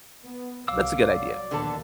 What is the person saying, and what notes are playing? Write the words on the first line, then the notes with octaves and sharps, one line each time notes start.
That's a good idea.
B3
C2 F#3 F5 D6 E6
F#3 D5
A#1 D#2 D3 B3 A4